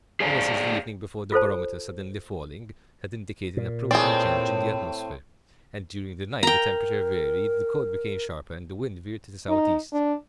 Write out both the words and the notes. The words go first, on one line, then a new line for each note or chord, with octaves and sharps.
Ever since the evening before the barometer, suddenly falling, had indicated an approaching change in the atmosphere; and during the night the temperature varied, the cold became sharper, and the wind veered to the south-east.
G#4 C#5 D5 F5 G#5 A#5
F4 A4 C5 A5
A#2
A2 C4 G#4 D5
A#4 G5 A#5
D#4
D4